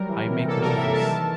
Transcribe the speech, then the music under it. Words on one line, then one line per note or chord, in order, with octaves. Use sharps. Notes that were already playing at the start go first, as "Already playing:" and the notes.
I make movies.
Already playing: F#3 G3 A#4
E3
C3
A#3 A4
A#4
G3
E5
E3 A5
D#3